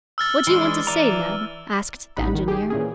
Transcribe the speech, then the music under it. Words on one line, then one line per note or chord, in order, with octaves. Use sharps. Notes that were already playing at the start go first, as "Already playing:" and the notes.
"What do you want to say, Neb?" asked the engineer.
E6 F6 A6
E3 G#3 D4 G7
E3 D5 A#5
A1 D#4 F#5 B5
D#3
G4 G#4
A#2 E3 C#4 G#4